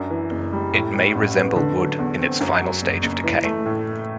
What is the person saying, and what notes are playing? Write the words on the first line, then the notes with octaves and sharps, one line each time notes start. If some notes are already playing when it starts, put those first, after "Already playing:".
It may resemble wood in its final stage of decay.
Already playing: F#2 D4
E3
F#1
G3
A2
G3
A1
B3
D3
F#3
E2
C4
F#2
F#3
F#1
F#1
E3
A3
A2